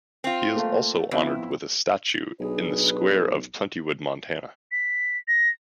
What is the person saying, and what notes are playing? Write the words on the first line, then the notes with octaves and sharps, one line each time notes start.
He is also honored with a statue in the square of Plentywood, Montana.
C4 F4
A3 A#3
F2 B3 E4
B1 D4 G#4 B4
B6
A#6